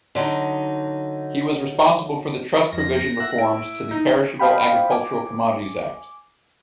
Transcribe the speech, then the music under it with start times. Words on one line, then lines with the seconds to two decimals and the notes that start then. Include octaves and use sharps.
He was responsible for the Trust provision reforms to the Perishable Agricultural Commodities Act.
0.15 D3 F#3 D#4
2.72 F2 A#6
3.20 E5 F#5
3.38 E4 D7
3.91 D#4
4.39 C5 D#5 F5 G5 B5
4.91 G#5 D6